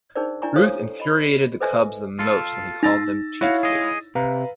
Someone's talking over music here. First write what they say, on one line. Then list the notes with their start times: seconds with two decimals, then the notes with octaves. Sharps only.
Ruth infuriated the Cubs the most when he called them cheapskates.
0.15 D4 D#4 G#4 A#4 C5 D5
0.42 D4 E4 D5 G#5 A#5 C#6
0.56 G4 A4 C5 C#5 F5 D#6
1.00 D#5 B5
1.60 A4 B4 C5 D#5 E5 G#5
2.19 F4 A4
2.83 D#4 E6 A6 A#6
3.41 E4 F#4 C#5 F5
3.63 G#4 D#5
4.15 C3 B4 F5 A#5